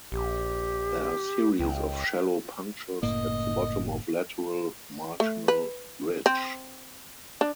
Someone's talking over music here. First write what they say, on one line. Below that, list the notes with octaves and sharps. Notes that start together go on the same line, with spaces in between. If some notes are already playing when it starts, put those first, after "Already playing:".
There are series of shallow punctures at the bottom of lateral marginal ridge.
A#1 G4
C#2 G5
F#1 A2 A#3 D#5
A3
B4
C4
D4